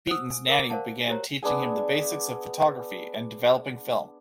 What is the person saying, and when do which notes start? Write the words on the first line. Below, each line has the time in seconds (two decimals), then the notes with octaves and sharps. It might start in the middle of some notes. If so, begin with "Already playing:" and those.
Beaton's nanny began teaching him the basics of photography and developing film.
0.08 C5 F#5 D#6 E6
0.31 G#5
0.49 A#4 F#5 G#5 A#5 D6
0.70 A#4 C5 D5 F5 F#5 A5
1.08 F#4 G4 A#4 C5 C#5 A#5
1.43 B3 D4 G#4 G#5